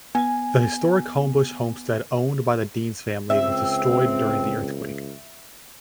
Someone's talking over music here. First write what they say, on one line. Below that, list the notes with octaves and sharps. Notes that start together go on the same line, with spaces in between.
The historic Homebush Homestead owned by the Deans family was destroyed during the earthquake.
B3 G#5
C#2 C4 E5